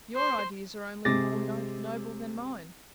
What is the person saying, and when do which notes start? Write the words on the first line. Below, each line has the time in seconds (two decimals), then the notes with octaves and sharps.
Your ideas are only more noble than mine.
0.15 C5
1.05 C3 G#3 G#4 D6 A6 A#6